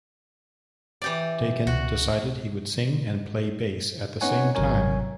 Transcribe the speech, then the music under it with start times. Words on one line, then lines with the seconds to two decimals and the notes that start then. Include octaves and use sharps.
Dakin decided he would sing and play bass at the same time.
1.02 E3 G4 D5
1.41 B2
1.67 C#2 F#4
4.21 B3 C#4 D#4 C#5 F#5 G#5
4.55 G#1 C3 F#3 A#4 C#5 G#5